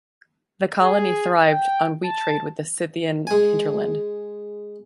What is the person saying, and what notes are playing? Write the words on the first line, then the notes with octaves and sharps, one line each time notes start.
The colony thrived on wheat trade with the Scythian hinterland.
G#4
G5
A5
G#3 G#5